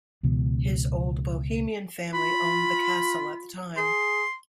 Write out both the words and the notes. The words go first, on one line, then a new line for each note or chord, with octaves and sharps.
His old Bohemian family owned the castle at the time.
C#2 B2 E3 B3
F4 B5
G#4 C6